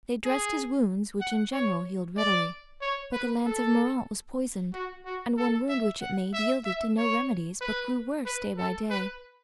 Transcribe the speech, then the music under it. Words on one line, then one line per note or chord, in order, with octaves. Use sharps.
They dressed his wounds, which in general healed readily; but the lance of Moraunt was poisoned, and one wound which it made yielded to no remedies, but grew worse day by day.
G#4
F#5
C#5
D5
C#5
B4
A4
F#4
F#4
A4
E5
F#5
E5
E5
C#5
B4
B4
A4
B4